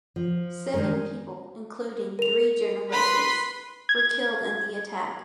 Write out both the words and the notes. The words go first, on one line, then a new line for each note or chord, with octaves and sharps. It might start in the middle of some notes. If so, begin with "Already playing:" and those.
Seven people, including three journalists, were killed in the attack.
F3
D#3 G3 G#3 D#4 A#4
A#4 F7
B4 B5 C6
G#6